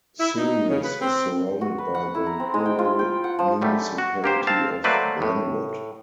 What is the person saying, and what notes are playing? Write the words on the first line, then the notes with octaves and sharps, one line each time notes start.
Souris is surrounded by the Rural Municipality of Glenwood.
E4
D#4
C#3
B4
C4
F#4
B4
F#5
E4
A#5
C4
G#3
G5
F4
G5
F#5
F3
F#2 G3 A3
F#4
A#3 G4 C5
C4 F5 A5
F#3 A3 A#3 B4 C5 D5
A2